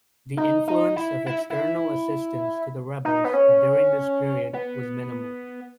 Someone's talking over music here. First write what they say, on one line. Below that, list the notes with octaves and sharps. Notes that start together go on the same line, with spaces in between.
The influence of external assistance to the rebels during this period was minimal.
D#4
D#4
E4
E4
E4
D#4
B3
C#4
B3